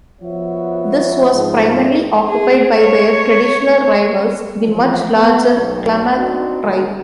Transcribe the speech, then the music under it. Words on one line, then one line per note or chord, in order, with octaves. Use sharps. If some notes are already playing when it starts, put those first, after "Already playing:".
This was primarily occupied by their traditional rivals, the much larger Klamath tribe.
F3 B3 F#4 C#5 E5
G#2 F3
G#4
C#5
E3 F3
B3
B1
C4 D4 D#4 F#4
B1 D3 G#3 A#3 A#4 D#5